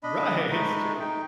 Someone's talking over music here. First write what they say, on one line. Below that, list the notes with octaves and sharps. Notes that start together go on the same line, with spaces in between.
Right. It's true.
D4 D#5 B5
G#3 A3 D#4 B5
D#4 G5